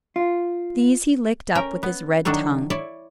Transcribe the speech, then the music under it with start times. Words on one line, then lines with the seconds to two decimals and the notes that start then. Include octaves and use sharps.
These he licked up with his red tongue.
0.16 F4
1.55 C#4 A#4 G5
1.83 B3
2.25 D#3 F#3 D4 A4 C#5
2.70 E4 C#5 D5